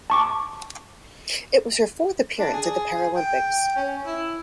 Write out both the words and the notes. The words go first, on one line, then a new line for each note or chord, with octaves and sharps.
It was her fourth appearance at the Paralympics.
A5 C#6 D6
D4
G#4
G5
C#4
E4